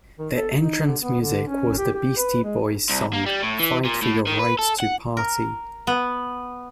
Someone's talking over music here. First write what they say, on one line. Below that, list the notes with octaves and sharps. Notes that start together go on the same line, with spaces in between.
Their entrance music was the Beastie Boys' song "Fight For Your Right to Party".
D#3
A4
D#4
D3
B3
D3
C#4
G4
G4
B4
G#3
C2
A#3
G3
A2
E3
A#2
A2
D#3
B4
A4
F#5
A#4
B3